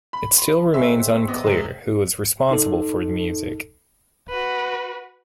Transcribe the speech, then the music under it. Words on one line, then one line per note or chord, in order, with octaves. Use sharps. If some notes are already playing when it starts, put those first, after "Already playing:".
It still remains unclear who was responsible for the music.
B5
C6
G#3 A3 C4 E5
B3 D5 D#5
C3 G#3
D#4 A4
F#4 B4